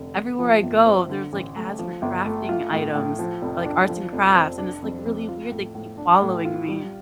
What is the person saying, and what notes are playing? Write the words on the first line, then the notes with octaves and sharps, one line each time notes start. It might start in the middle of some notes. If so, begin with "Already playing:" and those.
everywhere I go, there's, like, ads for crafting items, like arts and crafts, and it's, like, really weird. They keep following me.
Already playing: F1 D3
F1
F3
G1
C4
D3
A1
A3
F3
G1
A3
F4
A2
A2
F3
F1
D4
F3
F1
C4
D4
F2
F2
F4
A2
A2
D4
A2
F4
G3